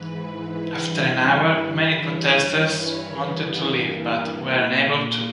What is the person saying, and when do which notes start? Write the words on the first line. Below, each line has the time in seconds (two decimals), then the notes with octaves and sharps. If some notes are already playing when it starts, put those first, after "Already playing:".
After an hour, many protesters wanted to leave but were unable to.
Already playing: G#2 E3 B4
0.77 G2 E3
1.38 B4
2.00 G2 E3 C#5
2.62 B4
2.93 A#4
3.24 G2 E3 B3
3.55 A#3
4.49 A#2